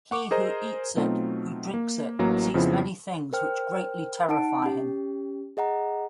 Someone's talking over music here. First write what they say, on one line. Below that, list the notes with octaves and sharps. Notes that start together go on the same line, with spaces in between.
He who eats it, who drinks it, sees many things which greatly terrify him.
F#5 C#6 D6
G#4 A#4 C5 D#5 A#5
B2 F#3 A3 C4 D#4 F4
A#3
A1 E3 F#3 A#3 A#5
F2 C#3 F3 B3 C4 E4
A#4 C5 G5 F6
D#4 F#5 A5 D7
C#4 G4
G#4 D#5 F#5 A#5